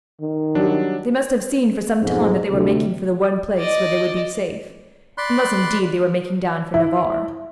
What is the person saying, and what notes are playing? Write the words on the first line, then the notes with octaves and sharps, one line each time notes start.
They must have seen, for some time, that they were making for the one place where they would be safe; unless indeed they were making down for Navarre.
D#3
F#3 G3 D4
B1 F2 G#2
D2 C3
D5 D#5
D5 B5 C6 F#6
E4